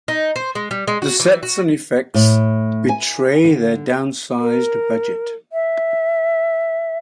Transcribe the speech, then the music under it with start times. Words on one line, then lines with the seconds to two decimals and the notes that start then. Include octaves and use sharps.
The sets and effects betray their downsized budget.
0.08 D#4
0.36 C5
0.55 G#3
0.71 G3
0.87 G#3
1.02 F#4
1.20 E3
1.43 F#4
2.14 A2
2.89 G#5
3.44 D3
4.41 A#4
5.52 E5